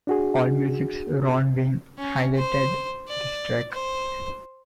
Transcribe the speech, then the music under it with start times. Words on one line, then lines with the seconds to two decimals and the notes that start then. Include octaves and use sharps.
Allmusic's Ron Wynn highlighted this track.
0.07 D4 F#4 G#4
1.99 C#4
2.38 C5
3.08 D5
3.72 C5